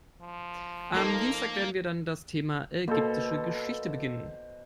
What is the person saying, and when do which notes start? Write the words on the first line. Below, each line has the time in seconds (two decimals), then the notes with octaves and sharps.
Am Dienstag werden wir dann das Thema ägyptische Geschichte beginnen.
0.22 F3
0.96 A#3 D#4 A4
2.88 B2 A#3 A4 C5